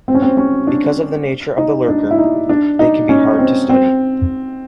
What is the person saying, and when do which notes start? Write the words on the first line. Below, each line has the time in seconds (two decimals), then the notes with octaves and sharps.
Because of the nature of the lurker, they can be hard to study.
0.08 C4
0.15 C#4
0.22 C4
0.37 C#4
0.67 D4
1.58 D#4
1.88 D4
2.11 E4
2.18 D#4
2.49 D4
2.79 D#4
3.09 C#4
3.39 C4
3.69 C4